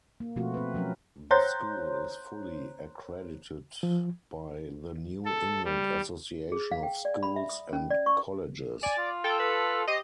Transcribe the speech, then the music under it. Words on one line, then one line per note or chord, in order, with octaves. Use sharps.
The school is fully accredited by the New England Association of Schools and Colleges.
A#3
B2 F3 A3 C4 F4 F#4
C4 B4
F3 F#3 C#4 A#4
C5 C#5 A#5 C6 F#6 G6
F3
A4
G3
G#4
F5
G5
D5
B5
E5
D#6
C#4
D5
C#6
D5 G#5
F4
A4 G5
B4
G4 C5 D#5